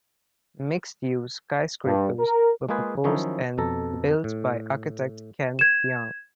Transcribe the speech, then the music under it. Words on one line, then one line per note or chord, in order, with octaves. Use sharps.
Mixed-use skyscrapers were proposed and built by architect Ken Yeang.
G2
A#4
G#3 A#3 F4 G#4 B4 G#5
D#3 F3 F#3 C#4 D#4 E4
F2 B2 A4 A#5
A2
G#6 E7